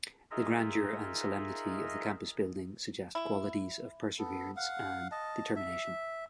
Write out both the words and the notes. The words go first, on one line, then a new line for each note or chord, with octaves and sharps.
The grandeur and solemnity of the campus building suggest qualities of perseverance and determination.
D#4 F4 G#4 A#4 D#5 E5
E4
B3 A4
F5 F#5
D#5 A5
E5